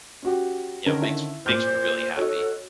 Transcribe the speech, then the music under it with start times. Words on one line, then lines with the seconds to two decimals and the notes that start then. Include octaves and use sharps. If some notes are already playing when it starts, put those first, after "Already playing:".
you know, makes makes me really happy.
0.23 C#4 F#4 G4
0.86 D3 D#3 C#4 A#4
1.02 E4
1.46 A#2 C5 D6 F6 G6
2.16 D#4 F#4 A4 C#5